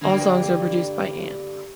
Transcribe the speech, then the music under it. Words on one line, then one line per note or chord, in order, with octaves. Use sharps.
All songs are produced by Ant.
G2 D3 A#3